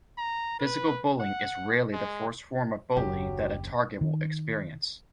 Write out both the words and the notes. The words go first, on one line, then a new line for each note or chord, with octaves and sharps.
Physical bullying is rarely the first form of bullying that a target will experience.
A#5
B4
F#5
G#3
F#1 D#2 C#3 F#3 D4 G4
D#3